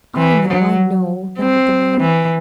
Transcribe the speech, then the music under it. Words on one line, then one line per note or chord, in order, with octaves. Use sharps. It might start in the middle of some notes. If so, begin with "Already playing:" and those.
"I know, I know," nodded the man.
E3
F#3
C4
E3